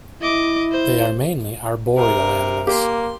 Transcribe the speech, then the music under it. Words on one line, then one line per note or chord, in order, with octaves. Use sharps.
They are mainly arboreal animals.
E4 D#5 D6
C5
C3 A#4
A#3 G4 C6